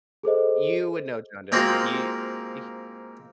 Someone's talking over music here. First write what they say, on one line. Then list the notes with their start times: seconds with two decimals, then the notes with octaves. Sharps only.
You would know John Denver. He h
0.23 G#4 A4 C5 D#5
1.52 G#2 A#3 C4 F4 F#4